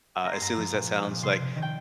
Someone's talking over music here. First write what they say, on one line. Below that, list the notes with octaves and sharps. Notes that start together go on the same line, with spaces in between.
Uh, as silly as that sounds like,
A#3 A#5
C6
G2 A#5
F3
A#2
C4
A#2
C3 C6
C3
D#3
G5